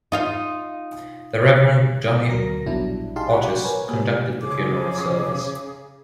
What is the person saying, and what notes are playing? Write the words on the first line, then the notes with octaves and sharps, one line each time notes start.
The Reverend Johnny Otis conducted the funeral service.
D#4 F4 F5
D2 F#3 A#4 A#6
A#1 B2 F#3 G3 D4 E4
D#4 G4 G#4 F5 A5 C6
F#5 B5 C#6 D6
A#4 B4 C#5 G#5
A#3 G4
C#3 G#4 C#5 D6